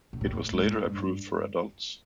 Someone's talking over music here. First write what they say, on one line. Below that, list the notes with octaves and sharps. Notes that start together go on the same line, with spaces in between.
It was later approved for adults.
A#2
A2
G#2
G2